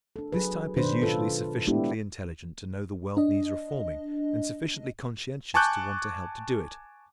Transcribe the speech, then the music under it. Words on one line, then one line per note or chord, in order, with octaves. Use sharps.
This type is usually sufficiently intelligent to know the world needs reforming and sufficiently conscientious to want to help to do it.
D4 A4
F#3 G#4 B4
B2 D#3 D4 B4 C5
F4 A4 B4
G#3 B3 D4 E4 G4
D4 D#5
G#5 A5 C#6 D6 F#6 G6